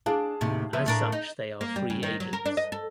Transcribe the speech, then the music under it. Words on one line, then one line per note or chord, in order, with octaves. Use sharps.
As such they are free agents.
D4 G#4 F5 A5
D#2 A2 C3
F3 B3 E5
A2 D4 A#4
D#4
A#3
G3
C#3
D#3
F#3
A#4
D4
D#5
A4